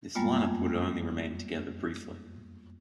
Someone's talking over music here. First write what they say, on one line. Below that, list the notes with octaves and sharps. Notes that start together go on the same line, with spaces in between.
This line-up would only remain together briefly.
F#2 G3 G#3 A#3 B3 F4
F2